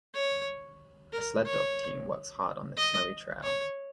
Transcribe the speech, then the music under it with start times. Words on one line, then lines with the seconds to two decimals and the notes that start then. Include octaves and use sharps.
A sleddog team works hard on this snowy trail.
0.14 C#5
1.13 A#4
1.46 C#5
2.77 D#5
3.43 C#5